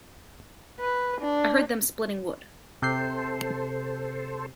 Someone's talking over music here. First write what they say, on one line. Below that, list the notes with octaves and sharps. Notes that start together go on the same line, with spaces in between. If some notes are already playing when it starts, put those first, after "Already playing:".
I heard them splitting wood.
B4
D4
C3 A4 C5 G6 C7